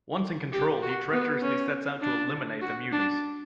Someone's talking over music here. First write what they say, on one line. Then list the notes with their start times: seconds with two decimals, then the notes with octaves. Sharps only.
Once in control, he treacherously sets out to eliminate the muties.
0.52 G4
0.82 F#4
1.13 B3
1.42 C#4
2.02 D4
2.61 F#4
2.92 D4